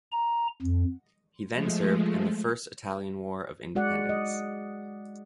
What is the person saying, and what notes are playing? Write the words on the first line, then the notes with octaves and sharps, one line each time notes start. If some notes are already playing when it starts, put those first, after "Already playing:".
He then served in the First Italian War of Independence.
A#5
F2
F3 G#3 A3
G#3 F#4 D5 F#5
D#5